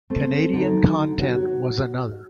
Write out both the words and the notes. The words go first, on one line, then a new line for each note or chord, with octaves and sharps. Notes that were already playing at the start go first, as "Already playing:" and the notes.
Canadian content was another.
A3 C4
D3 F#3 D#4
F#4 C#5